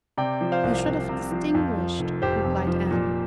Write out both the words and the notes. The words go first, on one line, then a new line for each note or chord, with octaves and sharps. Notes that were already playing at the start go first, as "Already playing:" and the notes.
"You should have distinguished," replied Anne.
C3 D5 G5
F3
C5 F5
C2
C2
C3
F3
F2
F3
F1
F1 G4 C5
F2
F3
A#2